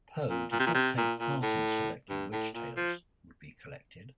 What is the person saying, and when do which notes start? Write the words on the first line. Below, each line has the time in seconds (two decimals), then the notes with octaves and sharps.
Poe did not take part in selecting which tales would be collected.
0.29 A#2
0.51 A#2
0.59 C3
0.66 A#2
0.74 C3
0.97 A#2
1.20 A#2
1.42 A2
2.09 G2
2.32 A2
2.55 A#2
2.76 F3